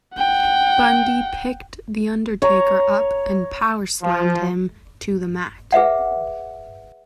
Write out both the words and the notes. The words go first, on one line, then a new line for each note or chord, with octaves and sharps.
Bundy picked The Undertaker up and powerslammed him to the mat.
F#5 G5
C#5 A#5
F3
G#4 B4 E5 F#5